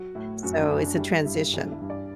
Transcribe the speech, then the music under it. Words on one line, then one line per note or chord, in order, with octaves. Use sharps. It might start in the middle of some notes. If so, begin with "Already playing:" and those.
So, it's a transition,
Already playing: F#3 F#4
A2 E4
F#2 F#4
E4
D4
F#2 E4
D4
G3 E4
G2 E4
E3 D4
E4
G2
D5